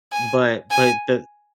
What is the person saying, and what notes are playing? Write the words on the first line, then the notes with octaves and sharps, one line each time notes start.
But but the
G#5
G#5